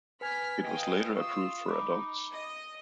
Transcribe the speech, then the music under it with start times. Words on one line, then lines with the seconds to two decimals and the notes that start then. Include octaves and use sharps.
It was later approved for adults.
0.21 B4 G#5 F6 G#6 B6
0.63 D#5 F5 G5
1.16 F4 C#6 D#6 E6
1.68 D#4 B5 D6
2.31 D#5